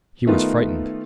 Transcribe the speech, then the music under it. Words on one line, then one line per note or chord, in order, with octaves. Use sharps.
He was frightened.
D#3 A3 B3 D#4 F4